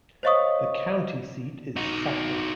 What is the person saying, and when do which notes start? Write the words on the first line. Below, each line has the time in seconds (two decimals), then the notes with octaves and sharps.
The county seat is Safford.
0.23 C5 C#5 D#5 F5 C#6 D#6
1.76 D#4 F#4